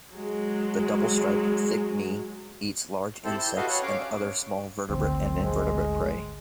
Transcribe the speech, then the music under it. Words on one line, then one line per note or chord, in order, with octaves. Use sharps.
The double-striped thick-knee eats large insects and other small vertebrate and invertebrate prey.
F#3 G#3
C4 E4 G4 A4 C5
G6
F#4 G4 A4 B4 D#5 F5
C#5 F#5
C#4 F5 D6
G#1 D2 C4
G#3